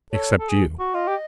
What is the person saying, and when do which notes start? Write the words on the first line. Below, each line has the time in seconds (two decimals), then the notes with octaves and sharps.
"Except you."
0.12 A4 C#5
0.40 A4
0.49 G#4
0.79 F#4
0.94 F4 D#5
1.08 G4